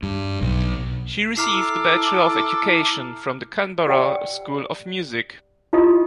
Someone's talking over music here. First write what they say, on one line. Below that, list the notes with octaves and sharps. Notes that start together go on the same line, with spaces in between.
She received a Bachelor of Education from the Canberra School of Music.
G2
B1
E4 A4 A#5 D6 F6 C7
G4 D5 F#5 G5
E4 F4 G4 D#5 D#6